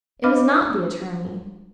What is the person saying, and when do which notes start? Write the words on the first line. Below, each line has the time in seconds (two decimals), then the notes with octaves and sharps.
It was not the attorney.
0.24 D4 D#5 F5 B5 D6 F6